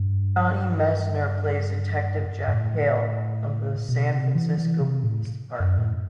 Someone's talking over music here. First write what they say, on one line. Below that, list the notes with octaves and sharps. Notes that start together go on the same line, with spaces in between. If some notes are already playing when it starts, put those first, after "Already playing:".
Johnny Messner plays Detective Jack Hale of the San Francisco Police Department.
Already playing: G2
G2
A2
B2
C3
E3
E3
C3
A2
F#2
A2